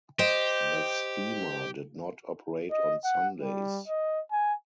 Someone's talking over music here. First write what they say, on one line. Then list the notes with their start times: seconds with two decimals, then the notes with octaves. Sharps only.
The steamer did not operate on Sundays.
0.19 G4 C5 D#5 G5
2.71 D#5
3.04 F#5
3.41 G3
3.88 D#5
4.32 G#5